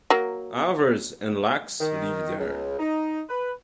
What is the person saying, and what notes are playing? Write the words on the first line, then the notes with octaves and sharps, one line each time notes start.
Avars and Laks live there.
F#3 A#3
D#3
C#2
D#4
B4